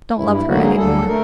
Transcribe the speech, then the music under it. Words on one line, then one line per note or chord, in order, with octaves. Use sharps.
Don't love her any more.
G2 E4
E4
D3 F#3 A#3 F#4
G#4
D2 A4
A3 A#4